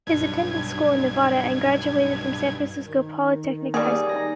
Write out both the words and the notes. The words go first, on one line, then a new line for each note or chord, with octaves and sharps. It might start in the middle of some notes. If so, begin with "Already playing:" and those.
His attended school in Nevada, and graduated from San Francisco Polytechnic High School.
B1 G2 G#6
D#3
G3 A#3 G#4 G#5
D#4 A#6